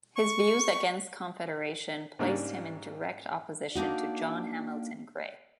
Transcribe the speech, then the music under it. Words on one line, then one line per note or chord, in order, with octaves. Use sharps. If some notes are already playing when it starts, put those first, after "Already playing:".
His views against Confederation placed him in direct opposition to John Hamilton Gray.
C#6
G#2 C#3 G3 A#3 D4 D#4
A#3 D4 D#4 F#4